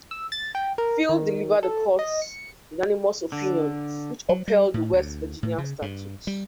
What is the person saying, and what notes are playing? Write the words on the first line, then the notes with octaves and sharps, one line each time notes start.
Field delivered the Court's unanimous opinion which upheld the West Virginia statute.
E6
A6
G5
A#4
D#3
A4
D#5
C#7
D3
F#3
G3
A2
D2
A2
C#3
G2
G3